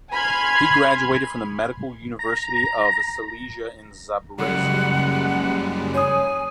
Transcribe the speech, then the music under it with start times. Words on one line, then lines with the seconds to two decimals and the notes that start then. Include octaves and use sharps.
He graduated from the Medical University of Silesia in Zabrze.
0.11 G#5 B5 C6 F6 G#6
2.19 A#5
4.38 F#2 C#3 G3 G#3 F#5
5.94 C#5 G#5 D#6